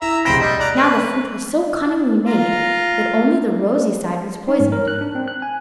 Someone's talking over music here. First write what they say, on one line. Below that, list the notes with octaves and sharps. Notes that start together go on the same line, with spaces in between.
Now the fruit was so cunningly made, that only the rosy side was poisoned.
E4 E5 A#5
E1 C3 C5 G5 B5 A#6
G3 D#5
D5 A#5 F#6
B4
F4 A#5
D#4
G#2
A#4
F#6
D4
C4
F#6
G#5